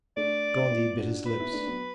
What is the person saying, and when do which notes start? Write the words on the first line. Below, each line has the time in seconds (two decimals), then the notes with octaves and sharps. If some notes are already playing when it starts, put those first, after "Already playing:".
Gondy bit his lips.
0.17 A3 D4 D5
0.71 B3 E4
0.99 D4 F#4
1.26 F#4 B4
1.40 B3 E4
1.53 A3 D4
1.67 F#3 B3